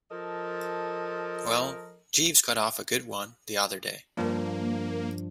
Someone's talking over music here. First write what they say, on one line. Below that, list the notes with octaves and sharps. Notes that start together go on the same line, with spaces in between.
Well, Jeeves got off a good one the other day.
F3 A4 A#4 D#5
G2 F3 A#3 D4